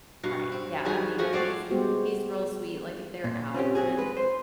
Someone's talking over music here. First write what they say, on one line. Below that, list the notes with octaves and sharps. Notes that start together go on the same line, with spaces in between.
Right, yeah, I mean, he's he's real sweet, like, if they're out when,
G2 B2 F#4 F5
C4
D#3 G3 F#4 G#4
F3 A3 F#4 G#4
C4 D5 F5 F#5
G3 G#3 B3 F#4 G4 C5
A#2
C4 C#4 F4 G4
C4 F#4 G#4
G#3 B4
C5